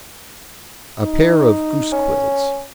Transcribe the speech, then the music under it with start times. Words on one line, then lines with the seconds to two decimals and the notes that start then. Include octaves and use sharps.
"A pair of goose-quills."
1.03 D#4
1.92 C#4